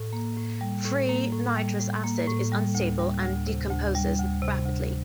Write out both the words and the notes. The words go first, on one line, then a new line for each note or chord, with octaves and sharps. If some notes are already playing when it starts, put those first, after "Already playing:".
Free nitrous acid is unstable and decomposes rapidly.
Already playing: A2
A#3
A2
G3
A2
A#3
A2
G3
A2
A#3
A2
G3
D2
G3
D2
C3
D2
G3
D2
C3
D2